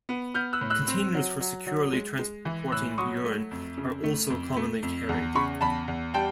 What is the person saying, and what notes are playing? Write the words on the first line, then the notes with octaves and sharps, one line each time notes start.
Containers for securely transporting urine are also commonly carried.
B3
B3 F6 G6
E6 F#6
A2
E6 F#6
C4
F#3
F#3
F#3
G#3
G#3
E3
A2 E6 F#6
F#3 C#6 D#6
A3
F2
C#3
A3
F2
A3
F2
E2
C#3 B5 C#6
E2 A5 B5
E2
G3 G5 A5